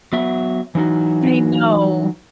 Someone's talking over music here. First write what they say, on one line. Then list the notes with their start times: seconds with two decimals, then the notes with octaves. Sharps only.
I know.
0.13 F#3 B3 E5
0.75 E3 F#3 D#4 F#4